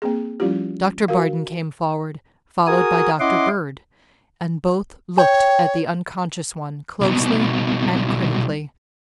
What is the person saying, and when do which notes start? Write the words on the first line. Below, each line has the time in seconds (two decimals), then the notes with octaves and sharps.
Doctor Bardon came forward, followed by Doctor Bird, and both looked at the unconscious one closely and critically.
0.02 A#3 C4 G#4
0.40 F3 G3 C#4 E4 F4 G4
1.08 F#4 A#4 F5
2.67 F#4 G#4 A#4 G#5 D#6
3.20 C#4 E4 D#5 F#5 C6 D6
5.17 C#5 G5
7.01 C2 B2